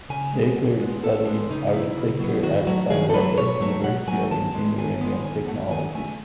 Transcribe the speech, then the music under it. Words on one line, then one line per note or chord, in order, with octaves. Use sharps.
Shaker studied architecture at Bangladesh University of Engineering and Technology.
C#3 G#5
G#3 B3
A2 F#5
G#3 B3
A2 A4
G#3 B3
C#3 D#4
F#3 B3 E4
C#3
F#3 B3
D#3 F#4
F#3 A3 F#4
D#3 G#4
A4
F#3 A3 B4
B2 C#5
F#3 A3
B2 F#5
F#3 A3 G#5
D#3 A5
G#3 B3
D#3 G#5
G#3 B3
D#3 G#5
A3 F#5
D#3 G#5
A3 G#5